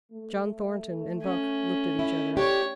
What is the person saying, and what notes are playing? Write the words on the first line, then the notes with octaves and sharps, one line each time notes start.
John Thornton and Buck looked at each other.
A3
C#4
E4
D4 G4 C#5